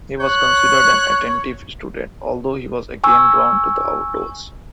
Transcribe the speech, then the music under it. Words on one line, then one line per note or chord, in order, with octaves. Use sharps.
He was considered an attentive student, although he was again drawn to the outdoors.
C#5 F#6
G#5 C#6 E6